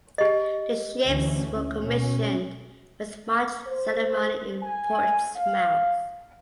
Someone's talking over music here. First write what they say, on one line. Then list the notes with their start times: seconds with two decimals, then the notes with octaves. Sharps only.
The ships were commissioned with much ceremony in Portsmouth.
0.18 G4 D#5
1.05 D2 E3 C#4
1.77 B2 C#4
3.67 C5
4.63 G#5
5.37 F5